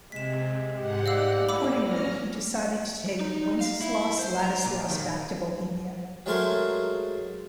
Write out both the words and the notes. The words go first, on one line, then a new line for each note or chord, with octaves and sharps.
Accordingly, he decided to take Wenceslaus-Ladislaus back to Bohemia.
C3 G#3 B6 E7
G#2 G4 F#5
D5 D#5 F5 E6
A2 B5 D6 E6
C#4 F6 A#6
D#4
F5
E4
C5
A#5
A#2
D#3
F#3 G#3 A3 A#4 C5 F5